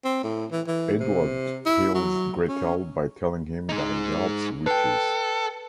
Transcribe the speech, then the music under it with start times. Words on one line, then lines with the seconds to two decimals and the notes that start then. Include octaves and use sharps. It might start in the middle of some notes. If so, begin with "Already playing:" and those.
Edward heals Gretel by telling him that he helps witches.
0.04 C4
0.24 A2
0.51 E3
0.67 E3
1.00 C3
1.66 E4
1.95 F#3
2.48 C#4
3.69 G#3 D#4
4.66 A4 B4 G5